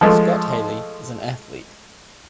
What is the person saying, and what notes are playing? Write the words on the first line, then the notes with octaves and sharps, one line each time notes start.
Scott Haley is an athlete.
F3 G#3 A3